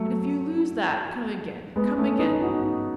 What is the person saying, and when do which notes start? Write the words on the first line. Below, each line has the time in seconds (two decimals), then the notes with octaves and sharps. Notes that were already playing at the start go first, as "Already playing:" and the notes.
"And if you lose that, come again, come again."
Already playing: F#3 A3
1.76 G#3 B3
1.98 A3 C#4
2.19 B3 D#4
2.41 D#4 F#4